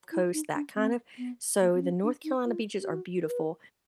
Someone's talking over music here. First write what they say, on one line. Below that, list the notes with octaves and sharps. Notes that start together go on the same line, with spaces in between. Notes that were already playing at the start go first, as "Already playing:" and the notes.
Coast, that kind of So the North Carolina beaches are beautiful,
E4
D#4
D4
C4
B3
A#3
C4
C#4
D4
D#4
F4
G4
F#4
A#4
B4